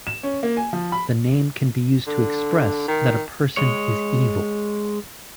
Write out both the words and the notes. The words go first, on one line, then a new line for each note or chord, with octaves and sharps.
The name can be used to express that a person is evil.
E7
C#4
A#3
G#5
F3
B5
D3
D#3
G#3 C#5